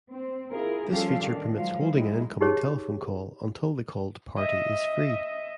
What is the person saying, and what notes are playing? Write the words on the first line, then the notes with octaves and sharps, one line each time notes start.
This feature permits holding an incoming telephone call until the called party is free.
C4
E4 F4 G#4 A#4
F3 G3 C#4 G4 A4 F5
D#3 D4
F3 F#3 G#3 F5
G3 G#3 D#4 E4
D#4 G4 G#4 C#5
D#5 E5